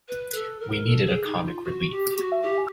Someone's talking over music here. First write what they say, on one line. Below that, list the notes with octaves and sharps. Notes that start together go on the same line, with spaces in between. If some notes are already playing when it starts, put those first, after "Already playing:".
We needed a comic relief.
B4
A4
A#4
A4
G#4
D#4
F4
F#4
G4
G4
F#4
G4